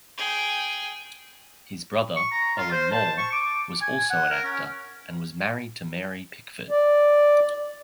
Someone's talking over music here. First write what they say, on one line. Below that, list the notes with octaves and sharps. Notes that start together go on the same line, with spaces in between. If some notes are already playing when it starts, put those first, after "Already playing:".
His brother, Owen Moore, was also an actor, and was married to Mary Pickford.
G#4 G5
C#6
A#5
F4
C5
A5
C#6
D6
G#5
F#5
A#4
C#4
D5